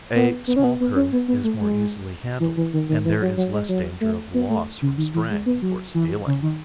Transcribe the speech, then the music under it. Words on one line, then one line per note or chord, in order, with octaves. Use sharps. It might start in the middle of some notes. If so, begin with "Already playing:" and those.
A small herd is more easily handled, and there is less danger of loss from straying or stealing.
B3
B3
C#4
B3
B3
C#4
B3
B3
A3
G#3
E3
E3
D#3
D#3
E3
F#3
F#3
G#3
F#3
A3
B3
A3
C#3
D#3
E3
G#3
B3
F#3
E3
C#3
D#3